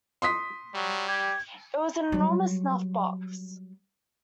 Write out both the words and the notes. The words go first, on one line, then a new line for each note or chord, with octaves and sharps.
It was an enormous snuff-box.
C6 D#6 B6
F#3 G3
G4 G#6
F#3 G3